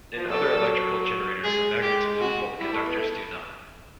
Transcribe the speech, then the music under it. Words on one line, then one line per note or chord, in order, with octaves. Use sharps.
In other electrical generators, the magnets move, while the conductors do not.
F3
F#3 A4
G3
F#3
G#3 G#4
G4
F#4
G3 E4
A3
B3
A3